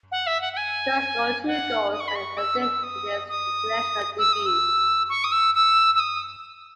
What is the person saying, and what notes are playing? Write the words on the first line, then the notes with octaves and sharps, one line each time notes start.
Kurri scored two goals and an assist in his international debut.
F#5
E5
F#5
F#5
G#5
F#5
D#6
C#6
B5
C#6
E6
E6
D#6
D#6
E6
D#6
E6
C#6
D#6
E6
E6
E6
D#6